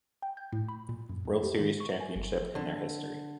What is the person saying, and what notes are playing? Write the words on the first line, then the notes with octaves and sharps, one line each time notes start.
World Series championship in their history.
G5
G6
A2
B5
A#2
F#2
F2
G4
D#3
C#6
G#5
G1
D3